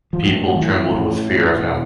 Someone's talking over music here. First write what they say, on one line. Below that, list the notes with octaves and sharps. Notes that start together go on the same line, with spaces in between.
People trembled with fear of him.
F3
A2 F#3
E3
A2
B2